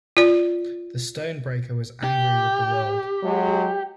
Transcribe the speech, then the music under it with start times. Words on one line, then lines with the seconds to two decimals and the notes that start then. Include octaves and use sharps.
The stone-breaker was angry with the world.
0.17 F4 D5
2.04 G4
3.22 F#3 G#3